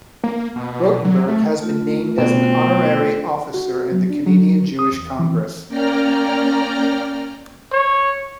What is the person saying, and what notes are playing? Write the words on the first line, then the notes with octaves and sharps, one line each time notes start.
Rotenberg has been named as an honorary officer in the Canadian Jewish Congress.
A#3
B2
F#3
A3
A3 F4
B2 C4
F#4
F#3
D4
F#3
D#6
E2
E3
A#3 C#4 D5 G5 A#5 F6
C#5